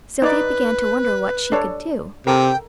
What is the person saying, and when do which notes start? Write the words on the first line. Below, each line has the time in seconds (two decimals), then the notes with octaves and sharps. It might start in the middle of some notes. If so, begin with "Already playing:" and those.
Sylvia began to wonder what she could do.
0.22 D#4 B4 D5
1.52 D4 A4 C#5
2.27 C3 A4 A#4 G5